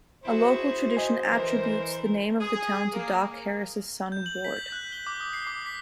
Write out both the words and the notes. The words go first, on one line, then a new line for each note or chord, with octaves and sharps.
A local tradition attributes the name of the town to Doc Harris's son Ward.
E4 F#4 G#4 C5
D#5 G#5
E3 A#4
G#4
A#3
G6
F#7
B6
G6
F#6
G7
D6
D#6
C7
D6
B6